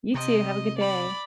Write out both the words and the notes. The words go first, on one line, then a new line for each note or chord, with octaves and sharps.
You too, have a good day.
C3 D#5
D5 B5